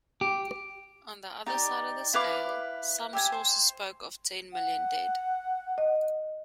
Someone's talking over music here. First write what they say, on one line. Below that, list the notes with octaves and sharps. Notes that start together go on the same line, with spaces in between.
On the other side of the scale, some sources spoke of ten million dead.
G4
D#4 G4 D5
E4 B4 F5 D6
G4 E5 G#5
C5
F#5
D#5